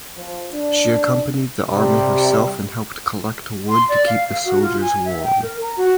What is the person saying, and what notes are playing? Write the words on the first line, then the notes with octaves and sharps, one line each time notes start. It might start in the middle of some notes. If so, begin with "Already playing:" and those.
She accompanied the army herself and helped collect wood to keep the soldiers warm.
F3
D4
C3 G3
C6
D5
F5
F5
F#4
F4
G#5
E5
G5
A#4
A#5
F#4